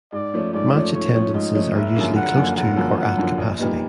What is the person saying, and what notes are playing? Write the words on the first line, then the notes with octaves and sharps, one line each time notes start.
Match attendances are usually close to or at capacity.
G#2 D5
F3 A3 C#4
G#2 D5
F3 A3 C#4
G#2 C#5
F3 A3 C#4
G#2 D#5
F3 A3 C#4
F#1 E5
F#2 D3 F3 A#3
F#1 F#5
F#2 D3 F3 A#3
F#1 F#5
F#2 D3 F3 A#3
F#1 F#5
F#2 D3 F3 A#3
A#1
A#2 G3 B3 D#4